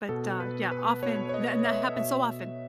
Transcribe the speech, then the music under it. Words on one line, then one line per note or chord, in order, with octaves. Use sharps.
but, uh, yeah, often, tha and that happens so often,
B2 A4
B4
B4
B2 C#5
C#5
D#5
E5
B2 E5